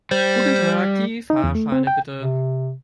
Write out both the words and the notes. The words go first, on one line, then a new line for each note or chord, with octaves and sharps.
Guten Tag, die Fahrscheine bitte.
G3 C5
D#4
E2
A3
C4
G5
C3